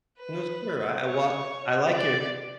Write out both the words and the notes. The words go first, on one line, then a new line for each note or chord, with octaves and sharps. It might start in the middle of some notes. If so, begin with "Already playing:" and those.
No, sure. I I well, I like your
B4
C#5
D5